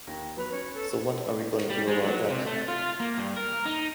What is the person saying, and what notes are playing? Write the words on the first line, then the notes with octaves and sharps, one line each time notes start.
So what are we gonna do about that?
D#2 A#6
F#3 B3 B4 F7
C#4 C#5
A4
G3
G#3
F#3
C3
A3
F4
A#3
G2
A#4
D#4